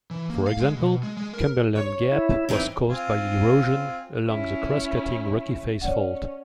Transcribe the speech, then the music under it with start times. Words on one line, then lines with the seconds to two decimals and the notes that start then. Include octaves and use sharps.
For example, Cumberland Gap was caused by erosion along the cross-cutting Rocky Face Fault.
0.11 E3
0.30 A#3
0.47 F5
0.60 G#3
0.77 B2
1.03 G#3
1.17 G#3
1.34 A#4
1.75 C#5
2.12 E4
2.49 E3 C4 D#4
2.89 C4 F4 G#5
4.28 C#4 E4
5.82 C#4 C#5 D5 F#5